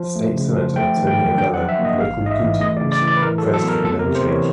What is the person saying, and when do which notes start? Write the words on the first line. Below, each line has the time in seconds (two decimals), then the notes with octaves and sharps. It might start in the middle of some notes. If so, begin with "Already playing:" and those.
State Senator Tony Avella and local community groups pressed for the name change.
Already playing: F3
0.16 A3
0.35 C#3
0.56 F3
0.76 A3 G5
0.97 D#3
1.07 G5
1.18 F#3
1.38 D4 G5
1.54 F#5
1.59 F3
1.69 E5
1.79 A#3
1.85 D#5
1.99 A1 F5
2.20 G#2
2.26 D#5
2.31 E5
2.40 E3
2.61 A3 D#5
2.77 D5
2.81 C#3
2.92 D5
3.02 E3
3.08 D5
3.17 B4
3.22 A2 A#4
3.38 A4
3.44 F#3
3.54 A4
3.63 B3 A#4
3.84 D2 A4
3.99 A#4
4.05 C3
4.15 C5
4.26 E3 C#5